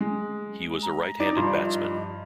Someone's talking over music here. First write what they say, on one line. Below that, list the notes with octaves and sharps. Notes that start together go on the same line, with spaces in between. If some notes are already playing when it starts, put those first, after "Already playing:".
He was a right-handed batsman.
G#3
A#5
D#4 D5
G2 F3 C6
D#5